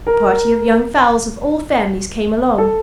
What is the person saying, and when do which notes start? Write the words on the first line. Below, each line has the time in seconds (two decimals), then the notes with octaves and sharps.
A party of young fowls of all families came along.
0.07 A#4
2.58 A4